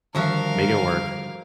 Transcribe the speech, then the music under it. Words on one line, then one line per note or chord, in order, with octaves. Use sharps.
make it work."
G2 D3 D#3 F3 F#4 A#4 E5 F5